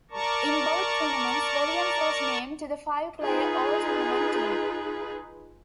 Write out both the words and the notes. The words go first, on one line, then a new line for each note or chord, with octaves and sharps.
In both tournaments, Williams was named to the five-player All-Tournament team.
A#4 D5 A5 A#5 C#6
D#4 F4 G#4 B4